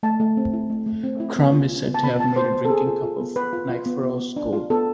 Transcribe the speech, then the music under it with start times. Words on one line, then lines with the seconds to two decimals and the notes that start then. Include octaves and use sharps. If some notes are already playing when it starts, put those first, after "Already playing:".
Krum is said to have made a drinking-cup of Nikephoros' skull.
0.03 A3 A5
0.20 A3
0.37 C4
0.53 E4
0.70 A3
0.86 A3
1.04 C4
1.20 E4
1.36 B3
1.53 F4
1.70 F4
1.87 B3
1.94 A5
2.03 B3 B5
2.20 F4 A5
2.36 F4 C5
2.53 B3 C5
2.65 A4
2.69 B3 G#4
2.87 F4
3.03 F4
3.20 B3
3.36 B3 B4
3.53 F4
3.69 F4
3.86 B3
4.03 B3
4.20 B3
4.36 D4
4.53 F4
4.70 B3 A4